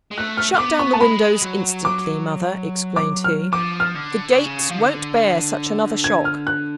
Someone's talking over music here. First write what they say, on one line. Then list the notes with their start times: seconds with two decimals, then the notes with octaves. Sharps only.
'Shut down the windows instantly, mother,' exclaimed he: 'the gates won't bear such another shock.
0.11 G#3
0.17 A3 F#6
0.37 F6
0.54 A3
0.59 B3 D6
0.79 C#6
0.93 A5
1.01 G#3 B5
1.42 F#3
1.85 D6
2.96 D6
3.24 F6
3.52 F3 D6
3.80 F6
3.95 D3
4.37 C#3
4.69 F3
4.78 D3
6.04 G#6
6.25 F6
6.47 F#6